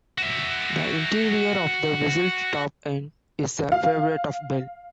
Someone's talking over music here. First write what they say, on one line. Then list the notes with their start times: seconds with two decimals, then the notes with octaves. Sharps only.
The interior of the Whistle Stop Inn is a favourite of Bell.
0.18 F#4 E5
3.72 F5